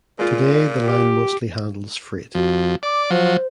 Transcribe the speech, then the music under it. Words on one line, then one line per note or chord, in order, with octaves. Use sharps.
Today the line mostly handles freight.
A#2 G#3 F4
G4
F2 F#4
D5 D6
F3 F#3 C5